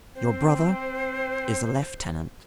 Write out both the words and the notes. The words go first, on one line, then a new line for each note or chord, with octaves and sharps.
Your brother is a lieutenant.
C4 C5